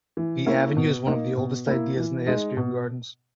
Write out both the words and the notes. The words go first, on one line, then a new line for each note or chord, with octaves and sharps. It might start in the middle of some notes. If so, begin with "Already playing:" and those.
The avenue is one of the oldest ideas in the history of gardens.
E3
A#3 C#4 E4
B2
A#3 D#4
B2
A#3 E4
E3
G#3 D#4
B2